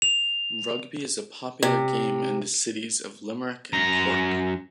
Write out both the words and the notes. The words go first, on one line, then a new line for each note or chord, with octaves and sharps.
Rugby is a popular game in the cities of Limerick and Cork.
F7
C3
F#2 A#5